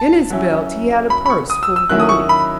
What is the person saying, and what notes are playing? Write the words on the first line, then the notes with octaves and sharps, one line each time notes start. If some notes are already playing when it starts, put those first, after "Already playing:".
In his belt he had a purse full of money.
Already playing: A5
F#3 C#4 E4
B5
B5
C#6
D#6
E6
E6
D#3 F#3 C#4 E4 F#6
D#6
C#6
B5